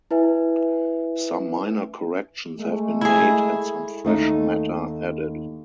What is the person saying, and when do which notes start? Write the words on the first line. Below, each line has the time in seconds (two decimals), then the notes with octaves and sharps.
Some minor corrections have been made and some fresh matter added.
0.11 E4 B4 E5 G#5
2.59 G#3 A3
3.01 E4 G#4
4.05 D#2 A3 D#4